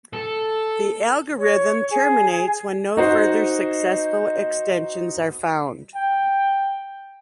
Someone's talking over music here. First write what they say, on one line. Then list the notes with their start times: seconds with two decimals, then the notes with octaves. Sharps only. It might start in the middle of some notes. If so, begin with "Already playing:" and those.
The algorithm terminates when no further successful extensions are found.
0.13 A4
1.38 C#5
1.90 G#4
2.97 D#4 F#4 C5
5.95 G5